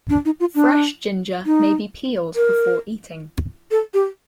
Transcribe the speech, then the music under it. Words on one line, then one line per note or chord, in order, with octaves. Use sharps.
Fresh ginger may be peeled before eating.
D4
D#4
F4
D4
D#4
A#4
A4
G4